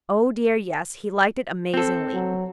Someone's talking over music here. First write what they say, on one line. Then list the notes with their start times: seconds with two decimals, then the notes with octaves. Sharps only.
Oh, dear, yes, he liked it amazingly!
1.74 C4 A4
2.13 F#3